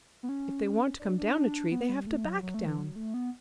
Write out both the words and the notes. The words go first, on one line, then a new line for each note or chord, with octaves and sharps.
If they want to come down a tree they have to back down.
B3
C#4
D4
D4
B3
G3
A3
F#3
F#3
A3
E3
F#3
A3
B3